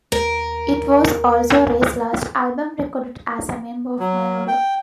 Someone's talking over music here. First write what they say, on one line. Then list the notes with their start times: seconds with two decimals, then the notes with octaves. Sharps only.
It was also Ray's last album recorded as a member of Menudo.
0.12 D#2 A#4
3.99 F#3
4.48 G5